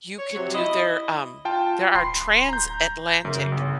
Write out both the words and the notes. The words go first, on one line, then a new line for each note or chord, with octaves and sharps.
you can do their, um there are transatlantic
C#5
C3 F#3
E4 D#5
F4 G5 A5
D1 B5 C6 C7
A#5 G6
F#2 C#3
G1